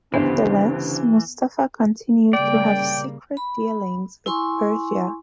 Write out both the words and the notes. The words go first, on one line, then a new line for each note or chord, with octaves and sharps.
Nevertheless, Mustafa continued to have secret dealings with Persia.
D2 G2 C#3 E3 B3 G4 C5
C#3 G3 A#3 D5 G5
B5
E4 G#5 C6 C#6